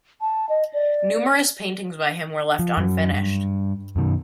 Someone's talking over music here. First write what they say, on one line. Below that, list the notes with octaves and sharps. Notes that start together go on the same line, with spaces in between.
Numerous paintings by him were left unfinished.
A5
D#5
D5
F3
F#2 F#3
G2
F#2 B2 D#3